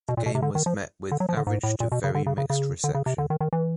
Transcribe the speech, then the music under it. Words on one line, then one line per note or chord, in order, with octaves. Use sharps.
The game was met with average to very mixed reception.
B2
A#2
B2
C3
D3
D#3
F3
D3
F#3
F3
D3
G#2
A2
A#2
B2
C#3
D3
C#3
C#3
C#3
D3
C#3
C3
D3
D#3
D#3
E3